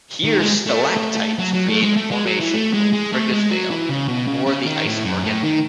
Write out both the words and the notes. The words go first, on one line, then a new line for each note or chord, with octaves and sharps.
Here stalactites create a formation called Frigga's Veil, or the Ice Organ.
D#3
G#3
A3
F#3
F#3
A3
G#3
A3
G#3
F#3
E3
A3
G#3
G#3
A3
G#3
F#3
E3
C#3
B2
C#3
C#3
D#3
A2
F#2
A2
D#3